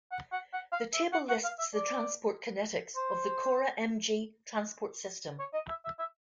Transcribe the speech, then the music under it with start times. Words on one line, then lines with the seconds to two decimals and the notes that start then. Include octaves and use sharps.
The table lists the transport kinetics of the CorA Mg transport system.
0.12 F#5
0.32 F#5
0.53 F#5
0.72 F5
0.94 E5
1.13 F#5
1.29 F#5
1.44 F5
1.59 E5
1.74 D5
2.96 C5
5.39 C#5
5.53 D#5
5.69 E5
5.85 E5
5.99 E5